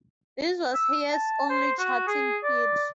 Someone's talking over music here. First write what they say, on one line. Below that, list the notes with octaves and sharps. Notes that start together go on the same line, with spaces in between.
This was Hayes' only charting hit.
E6
A5
C5
F#4
G#4
D5